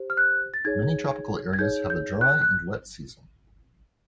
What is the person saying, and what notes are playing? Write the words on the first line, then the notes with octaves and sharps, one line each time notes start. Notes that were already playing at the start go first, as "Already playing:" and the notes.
Many tropical areas have a dry and wet season.
Already playing: G4 C5
F6
F#6
A6
D#4 G#4 C#5 G#6
G#6
D#4 G#4 C#5 G6
G6
F#6
F#6